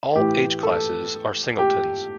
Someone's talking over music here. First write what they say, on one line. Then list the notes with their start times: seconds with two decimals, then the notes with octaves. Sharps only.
All "H"-classes are singletons.
0.16 A2 E3 G4
0.63 A4
1.59 G4